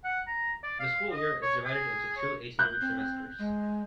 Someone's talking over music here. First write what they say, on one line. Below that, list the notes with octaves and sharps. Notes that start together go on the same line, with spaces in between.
The school year is divided into two, eighteen-week semesters.
F#5
A#5
D5
F5
D#5
C#5
G#4
C#5
F#6 G6
C4
G#3